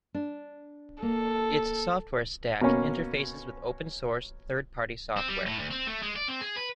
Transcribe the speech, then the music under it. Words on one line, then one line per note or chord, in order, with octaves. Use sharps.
Its software stack interfaces with open source third-party software.
D4
A#3 A4
B2 A#3 C#4
C4
G3
A2
D2
C4
A3
G#3
D5
C4
G#4
B4